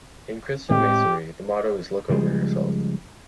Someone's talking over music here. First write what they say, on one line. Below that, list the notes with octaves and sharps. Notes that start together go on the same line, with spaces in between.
In Christian masonry the motto is “Look over yourself”.
A2 G#3 C4 G4
C#3 F3 G3 G#3